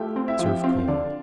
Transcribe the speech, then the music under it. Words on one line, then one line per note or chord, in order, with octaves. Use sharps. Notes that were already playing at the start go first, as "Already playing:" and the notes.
Serve cold.
Already playing: A3 E4 F4 G4 G5
C4
E4 E5
F3
G4 G5
C4 F4 F5
D3 D4 D5